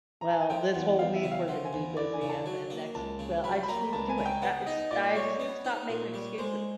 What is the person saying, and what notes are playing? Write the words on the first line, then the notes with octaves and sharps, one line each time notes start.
Well, this whole week we're gonna be busy, and then next well, I just need to do it. That it's I just need to stop making excuses,
A#5
A5
G#5
F3 G5
E2 F#5
E2 F5
E5
C#3
F5
F3 F#5
G#5
E2
E2 D5
G#5
C#3
A5
F#3
A#3
C#2 A5
C#3
F#3 B5
B5
A#3 A#5
C#2 A5
G#5
C#3
G5
B3 F#5
D#4 D#5
A#2 D5
G3 C#5
B3
D#4
A#2
G3
G#3 C5